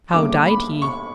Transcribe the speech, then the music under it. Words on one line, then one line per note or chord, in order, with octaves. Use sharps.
"How died he?"
D2 C#3 G3 A#3 D6
B5
C#6